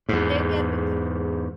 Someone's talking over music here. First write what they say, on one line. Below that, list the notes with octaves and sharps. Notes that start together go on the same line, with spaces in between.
Take care with it.
E2 G#2